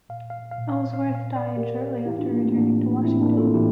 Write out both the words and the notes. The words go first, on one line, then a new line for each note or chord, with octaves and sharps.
Ellsworth died shortly after returning to Washington.
A#2 F5
F5
F5
A#2
F5
F5
A#2
F5
D5 F5
A#2 G4 A#4
A2 E3 E4 G4
D4 F4
A#3 D4
A3 C4
A2 E3 A#3 D4
A2 E3 C4 E4
A#3 D4
F4 A4
A2 E3 E4 G4